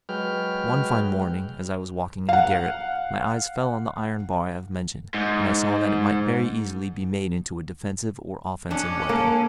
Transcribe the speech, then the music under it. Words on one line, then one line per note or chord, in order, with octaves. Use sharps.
One fine morning, as I was walking in the garret, my eyes fell on the iron bar I have mentioned, and I saw that it might very easily be made into a defensive or offensive weapon.
F#3 G#3 B4 G5 F6
F5 F#5
G#2
F2 C#4 D4
A#3 A4